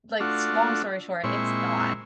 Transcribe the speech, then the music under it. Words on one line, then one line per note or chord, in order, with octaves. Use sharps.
like s long story short, it's not
A3 D4 F4 F#4
A#2 G#3 C4 E4 C#6